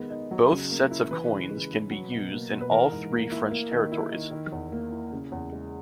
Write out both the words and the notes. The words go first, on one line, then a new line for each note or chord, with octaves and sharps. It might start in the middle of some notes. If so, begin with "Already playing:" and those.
Both sets of coins can be used in all three French territories.
Already playing: D#3 G#3 B3
D#4
F#3
C#3
A#3
E4
E3 B4
C#3
G#3
C#3
F#3
B2
A#3
B2
B4
E3 A#4
G#2
A#3
E4
A#3
D#3
E4
D#3
D#3
E2
A#3
E4
C#3
E2
G#3